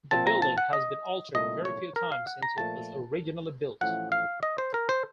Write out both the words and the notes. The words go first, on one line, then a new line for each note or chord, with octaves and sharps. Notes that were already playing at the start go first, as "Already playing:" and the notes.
The building has been altered very few times since it was originally built.
A#2 F3 C4 A5
A#5
A5
F#5
D#5
C2 A#2 A3 D#5
C#5
A#4
F5
F#5
A#5
A#2 F3 A3 A5
A1 A2 F3 F#5
F5
D#5
C5
A#4
C5